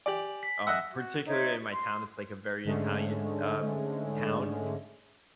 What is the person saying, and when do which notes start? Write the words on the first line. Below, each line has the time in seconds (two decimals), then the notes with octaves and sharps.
um, particularly in my town, it's like a very Italian, um, town,
0.06 G4 D5 G#5 F#7
0.43 B6
0.67 D#5 E5 F#5 E6 F#6
0.94 F#4
1.26 D#4 C5 C#5 E5
1.71 C6
2.65 G#2 D3 G#3 A3 C#4